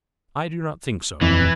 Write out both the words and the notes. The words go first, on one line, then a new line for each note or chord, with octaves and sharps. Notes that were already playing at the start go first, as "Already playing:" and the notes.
I do not think so.
D#1 F2 E3 C4